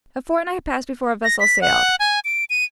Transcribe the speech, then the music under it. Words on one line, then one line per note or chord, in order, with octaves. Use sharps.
A fortnight passed before a vessel sailed.
A#6
B6
F#5
G#5
D7
D#7